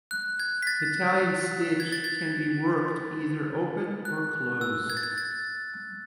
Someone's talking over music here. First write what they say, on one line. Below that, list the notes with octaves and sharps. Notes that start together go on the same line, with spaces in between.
Italian stitch can be worked either open or close.
F#6
G#6
B6
A6
G#6
A6
G#6
F#6
E6
G#6
A6
G#6
A6